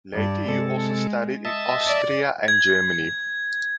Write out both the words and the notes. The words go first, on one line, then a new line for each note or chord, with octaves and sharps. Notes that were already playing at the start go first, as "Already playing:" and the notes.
Later he also studied in Austria and Germany.
G2 D5
C3 G#3 A4
D#5 E5 A5
D5
G#6